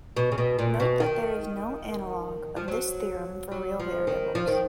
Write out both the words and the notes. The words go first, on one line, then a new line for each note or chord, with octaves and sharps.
Note that there is no analogue of this theorem for real variables.
B2
C#3
B2
A#2
B2
D#3
F3
F#3
F#3
F3
D#3
F3
D#3